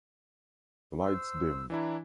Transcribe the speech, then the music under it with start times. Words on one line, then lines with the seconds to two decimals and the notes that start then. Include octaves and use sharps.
The lights dim.
1.01 C5 E6
1.70 E3 D4 E4 A#5